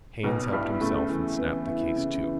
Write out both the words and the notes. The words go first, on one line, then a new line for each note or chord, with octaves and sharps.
Haines helped himself and snapped the case to.
B1 B2 B3
G2 G3 E4
A2 C#3 A3
E3
B3
E4
C#3
E3